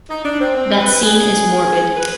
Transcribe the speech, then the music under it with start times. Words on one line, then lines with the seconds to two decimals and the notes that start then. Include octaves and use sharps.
That scene is morbid.
0.09 D#4
0.24 D4
0.40 C4
0.55 C4
0.79 B4
1.03 G#4
1.96 B4